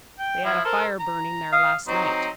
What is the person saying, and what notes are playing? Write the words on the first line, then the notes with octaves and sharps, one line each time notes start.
"They had a fire burning there last night."
G5
F3 E4
A4 A#4 C5
A#5
F5 D#6
F#3 C4 D#4